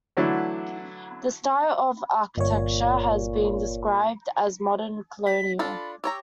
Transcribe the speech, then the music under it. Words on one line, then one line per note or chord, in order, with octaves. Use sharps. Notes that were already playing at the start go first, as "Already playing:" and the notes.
The style of the architecture has been described as Modern Colonial.
D3 E3 F#3 A3 D4 E4
G1 A#2 C#5
B6
D4 F4 A4 B5
G4 C#5 A#5 E6